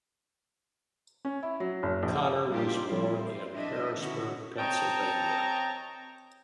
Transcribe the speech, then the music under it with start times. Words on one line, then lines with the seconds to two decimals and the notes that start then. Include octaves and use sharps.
Conner was born in Harrisburg, Pennsylvania.
1.25 C#4
1.43 E4
1.60 F#3
1.83 F#1
2.03 A#1
2.51 G3 A#3 D4 D#4 F4 G4
2.88 F3 G3 C4 E4 F4
3.24 C5
3.56 D4 E4 D#5 E5
3.97 B2 D3 D#3 C#4 E4 F#4
4.58 C4 C#5 D#5 G5 A5 A#5